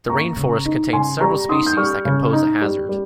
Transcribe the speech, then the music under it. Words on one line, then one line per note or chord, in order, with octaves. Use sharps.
The rainforest contains several species that can pose a hazard.
A#3 A#5 C#6
C#3
D#4
C#3 G#5 C6
G3 A#5 C#6
D#4 C6 D#6
G6
G3 C#6 F6
C#3
D#4
G3
G3